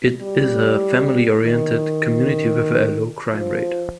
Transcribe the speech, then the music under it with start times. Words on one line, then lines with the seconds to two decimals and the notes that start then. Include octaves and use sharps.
It is a family oriented community, with a low crime rate.
0.19 G3
1.44 D#3
3.30 F3